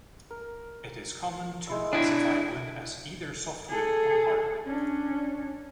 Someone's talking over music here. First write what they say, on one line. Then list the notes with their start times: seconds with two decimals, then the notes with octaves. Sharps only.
It is common to classify wood as either softwood or hardwood.
0.31 A#4
1.67 G#3 E4 E6
1.93 D4 E4 F#5 G5
3.69 G#4 A4
4.66 C#4 D4